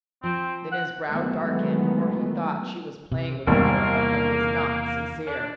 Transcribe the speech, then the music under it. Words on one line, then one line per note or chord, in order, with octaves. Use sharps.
Then his brow darkened, for he thought she was playing with the girl, and was not sincere.
F3 C4
F#5
D#3 E3 F#3 G#3 A3 B3
C3
G#1 E2 G2 C3 A#3
D4